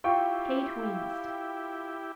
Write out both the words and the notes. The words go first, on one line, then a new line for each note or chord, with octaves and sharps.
Kate winced.
E4 F4 G4 G5 C#6